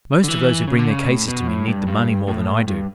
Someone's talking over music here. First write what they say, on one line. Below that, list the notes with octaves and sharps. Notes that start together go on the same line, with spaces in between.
Most of those who bring their cases to me need the money more than I do.
D3
E3
C#3
D3
C#3
A2
B2
A2
G2
G2
A2
G2